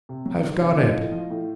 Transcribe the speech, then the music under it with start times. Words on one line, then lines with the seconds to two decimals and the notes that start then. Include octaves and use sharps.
I've got it!
0.09 C3
0.26 F#3
0.43 D#3
0.60 C3
0.78 F3 D#5
0.95 A2
1.12 F3
1.30 A2